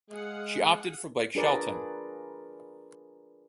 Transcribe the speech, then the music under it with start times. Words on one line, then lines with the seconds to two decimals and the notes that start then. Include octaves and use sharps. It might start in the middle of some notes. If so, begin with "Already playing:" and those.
She opted for Blake Shelton.
0.10 G#3 G#4 F5 F#5
1.35 D4 F4 G#4 A#4 B4 D5